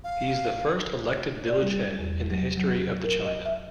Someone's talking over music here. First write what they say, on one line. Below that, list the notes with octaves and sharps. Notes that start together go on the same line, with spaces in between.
He is the first elected village head in the history of the China.
F5
C#5
D5
G3
E2
F#3
F#3
A#4
D#5
E5